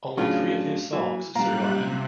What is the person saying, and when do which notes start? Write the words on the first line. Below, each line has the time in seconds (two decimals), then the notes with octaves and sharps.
Only three of his songs survive.
0.17 A2 C#3 F#3 D4 F4
0.93 E3 F#3 A#3
1.35 F#2 A#2 G3 F5 A#5 F#6
1.72 C3